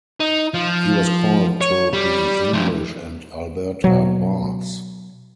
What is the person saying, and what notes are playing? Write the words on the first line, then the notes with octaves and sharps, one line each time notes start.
He was called to the English and Alberta bars.
D#4
F3
C#5
G3
F3 A3
B2 F#3